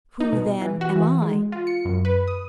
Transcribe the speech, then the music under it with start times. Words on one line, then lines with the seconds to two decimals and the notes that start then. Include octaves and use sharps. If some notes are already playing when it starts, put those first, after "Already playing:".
"Who, then, am I?"
0.20 D#4
0.33 B2
0.61 E3
0.81 F#4
0.96 E3
1.22 G#3
1.52 F4
1.67 C#7
1.85 F#2
2.05 B4
2.28 D#6